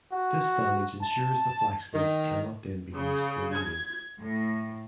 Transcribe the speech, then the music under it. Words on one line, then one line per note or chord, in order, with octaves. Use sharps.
This damage ensures the flax leaf cannot then be used for weaving.
F#4
A5
D#3
C#3
G#6
A2